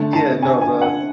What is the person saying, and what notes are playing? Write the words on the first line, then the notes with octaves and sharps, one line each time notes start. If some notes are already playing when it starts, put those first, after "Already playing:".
Yeah, no the
Already playing: D3 A3 A5
A5
G#5
G#5
F#5